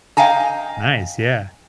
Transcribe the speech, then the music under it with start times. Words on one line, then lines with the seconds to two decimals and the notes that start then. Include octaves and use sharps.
Nice, yeah.
0.17 D#5 F5 G5 G#5 A#5